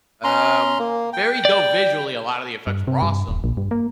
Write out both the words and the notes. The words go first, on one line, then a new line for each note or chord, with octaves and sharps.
Um, very dope visually, a lot of the effects were awesome,
C#4 A#5 C6
A#3
G5
D5
G2
C3
G2
D#1
A#1
G2
A#3